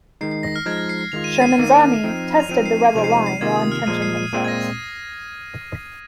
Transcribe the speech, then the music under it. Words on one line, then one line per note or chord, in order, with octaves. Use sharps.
Sherman's army tested the Rebel line while entrenching themselves.
D#3 G#3 D#4 C7
C7
A#6
F6
F3 G#3 D#4 G#6
A#6
C7
C7
D#3 G#3 F4 F7
D#7
D#7
C7
D#7
D#3 A#3 D#4
F3 C4 D#4
F7
F3 C4 D#4 D#7
C7
D#7
C3 F3 G#3 C4 D#4 F7
C7
D#7
C7
C3 D#3 A#3 F4 G#6
D#6
F6
A#2 F3 G#3 D#7
C7
D#7
A#2 G#3 C4 F4 D#7
G#6
A#6